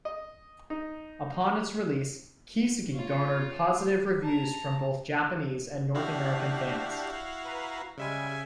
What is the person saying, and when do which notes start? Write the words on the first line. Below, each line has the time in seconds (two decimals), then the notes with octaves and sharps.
Upon its release, "Kiseki" garnered positive reviews from both Japanese and North American fans.
0.05 D#5
0.70 D#4
2.94 F4 C#5
4.23 A5 A#5
5.95 D4 E4 F#4 G4 F5
7.45 B4 A#5
7.98 C#3 G3 G#3 E5 G#5